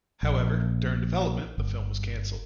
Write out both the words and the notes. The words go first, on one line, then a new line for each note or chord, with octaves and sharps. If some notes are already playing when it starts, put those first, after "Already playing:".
However, during development the film was cancelled.
A#1
G1